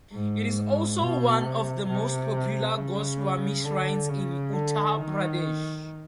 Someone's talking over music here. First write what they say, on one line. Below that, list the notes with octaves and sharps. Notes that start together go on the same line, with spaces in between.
It is also one of the most popular Goswami shrines in Uttar Pradesh.
G#2
B2
C3
C3
C#3
D3
C#3
D3
D#3